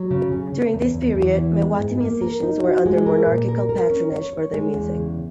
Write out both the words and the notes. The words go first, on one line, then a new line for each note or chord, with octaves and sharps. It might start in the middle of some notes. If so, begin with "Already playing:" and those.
During this period, Mewati musicians were under monarchical patronage for their music.
Already playing: F#3
C#3
C#3
C#3
E2
E2
E2
E3
G#3
G#2
A#3
A#4
D#4
F#4
G#3
A#4
A#2
A#4
A#4
C#4
C#5
C#5
G#3
E2
C#3